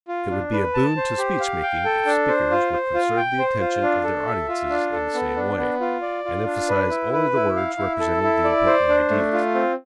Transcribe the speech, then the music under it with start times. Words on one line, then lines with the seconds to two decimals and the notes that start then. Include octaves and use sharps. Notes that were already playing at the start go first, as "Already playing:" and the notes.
It would be a boon to speech-making if speakers would conserve the attention of their audiences in the same way and emphasize only the words representing the important ideas.
0.08 F4
0.31 D4
0.53 B4
0.74 A5
0.97 C5
1.18 G4
1.40 F5
1.63 G5
1.85 A4
2.06 D4
2.28 C5
2.51 F4
2.73 C5
2.94 F4
3.17 G5
3.39 C5
3.60 F4
3.82 D4
4.04 A4
4.27 E5
4.48 F4
4.70 D4
4.92 A4
5.14 B3
5.36 D4
5.58 B3
5.81 F4
6.02 D5
6.25 F4
6.46 D4
6.69 B4
6.90 E4
7.13 B4
7.35 E4
7.56 F5
7.78 E4
8.00 A4
8.23 E4
8.44 D5
8.66 C5
8.89 D4
9.10 A3
9.33 F4
9.55 C4